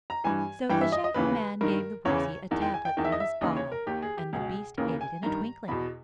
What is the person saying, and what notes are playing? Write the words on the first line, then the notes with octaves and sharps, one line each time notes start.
So the Shaggy Man gave the Woozy a tablet from his bottle and the beast ate it in a twinkling.
A#5
G2 E3 G#5
G2 E3 G5
E5
D#5
D#5
D#2 C#3 E3 B4
G2 D#3 A#4
E2 C#3 E3 C#5
E2 D#3
G5
G#5
G5
E2 D#3 G5
E5
D#5
E5
D#2 C#3 E3 D#5
C#5
A#4
D#2 D#3 G4
G#4
G4
C#2 B2 G#4
D#2 C#3 E3 A#4
G#5
G2 D#3 A#5
E2 B2 B5